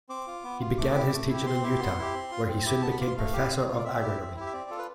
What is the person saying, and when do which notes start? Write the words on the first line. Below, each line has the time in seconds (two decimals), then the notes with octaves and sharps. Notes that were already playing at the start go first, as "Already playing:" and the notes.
He began his teaching in Utah, where he soon became professor of agronomy.
0.09 C4 D6
0.27 F4
0.44 B3
0.61 F4
0.78 A3 D6
0.95 E4 G4
1.12 A3
1.29 E4 G4
1.46 C4 C6
1.63 E4 G4
1.80 B3
1.98 E4 G4
2.14 C4
2.31 F4
2.48 C4
2.65 E4 G4
2.82 B3 A5
2.91 B5
3.00 F4 D6
3.07 C6
3.17 A3 F5
3.33 E4 G4
3.50 C4
3.68 F4
3.78 D5
3.85 C4 E5
4.02 E4 G4
4.19 C4
4.36 E4 G4
4.47 E5
4.53 C4 D5
4.70 F4 A4
4.78 B4